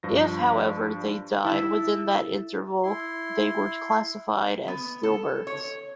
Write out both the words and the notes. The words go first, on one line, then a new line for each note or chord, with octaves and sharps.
If, however, they died within that interval, they were classified as stillbirths.
G2 F3 A#6
E4 A4 E5
E4 C6
B3
A4
C#5